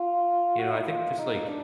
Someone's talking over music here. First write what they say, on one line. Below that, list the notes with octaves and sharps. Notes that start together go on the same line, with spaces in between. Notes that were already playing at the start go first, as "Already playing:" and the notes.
you know, I think just like,
Already playing: F4
F#4
D#4
E4
F4
D#4
D4